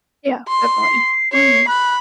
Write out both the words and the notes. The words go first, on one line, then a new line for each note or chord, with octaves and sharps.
Yeah. Definitely. Mhm.
C6
C7
C#5 C7
B5 F#6